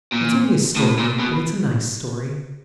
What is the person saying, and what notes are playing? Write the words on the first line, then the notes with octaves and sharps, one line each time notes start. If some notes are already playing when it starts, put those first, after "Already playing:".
It's only a story, but it's a nice story.
A#2
A2
A#2
B2